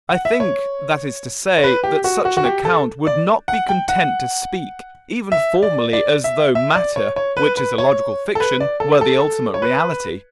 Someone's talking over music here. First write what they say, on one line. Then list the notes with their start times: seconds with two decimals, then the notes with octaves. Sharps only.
I think, that is to say, that such an account would not be content to speak, even formally, as though matter, which is a logical fiction, were the ultimate reality.
0.09 F#5
0.25 E5
0.40 C#5
1.58 C#5
1.64 B4
1.84 G4
2.04 F#4
2.25 F#4
2.37 F#4
2.45 G4
2.65 A4
3.07 D5
3.48 F#5
3.69 G5
3.89 F#5
5.32 E5
5.63 D5
5.93 D5
6.24 E5
6.55 E5
6.75 D5
6.96 C#5
7.16 C#5
7.37 B4
7.57 B4
7.78 C#5
8.35 A4
8.40 B4
8.60 D5
8.80 A4
9.01 A4
9.54 C#5
9.62 B4